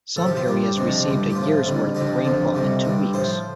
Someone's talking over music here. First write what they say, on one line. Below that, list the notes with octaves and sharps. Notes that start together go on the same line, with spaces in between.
Some areas received a year's worth of rainfall in two weeks.
A2 F3 A4
G4
F4
G2 G3 D4
F2 C3 F3 D4
G2 D3 G3
G4
A2 F3 F4
F2 D3 G3
F2 D3 F3 G4
F2 D3 F3
F2 C3 G3
G2 D3 G3
A2 F3 C5